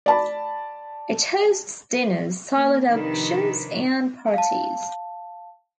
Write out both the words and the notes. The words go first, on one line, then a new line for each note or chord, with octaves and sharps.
It hosts dinners, silent auctions and parties.
D5 A5 B5
A#3
C3 D#3 F3 D4 B4
F5 A5